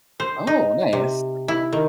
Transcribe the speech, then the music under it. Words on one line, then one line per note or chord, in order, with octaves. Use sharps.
Oh, nice.
C5
D#4
C3
E4
D#3